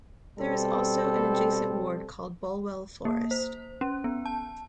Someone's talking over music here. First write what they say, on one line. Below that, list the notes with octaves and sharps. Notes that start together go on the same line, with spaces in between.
There is also an adjacent ward called Bulwell Forest.
B2 G3 C4 A4
A#3
C5
C#4
B3
A5